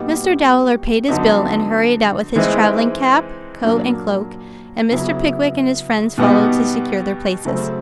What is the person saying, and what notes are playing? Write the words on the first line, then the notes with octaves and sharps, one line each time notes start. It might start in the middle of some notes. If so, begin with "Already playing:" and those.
Mr. Dowler paid his bill, and hurried out with his travelling cap, coat, and cloak; and Mr. Pickwick and his friends followed to secure their places.
Already playing: A#2 G3 B3 D#4 F#4
D3 F#3 B3 D#4
E3 G#3 C4 D#4
A#2 F#3 A#3 D4
C#3 F#3 B3 E4
B2 G3 B3 D#4 F#4
C#3 F#3 A3 C4